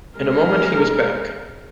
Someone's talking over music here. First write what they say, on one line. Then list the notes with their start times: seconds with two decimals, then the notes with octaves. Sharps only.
In a moment he was back.
0.18 G#3 A#4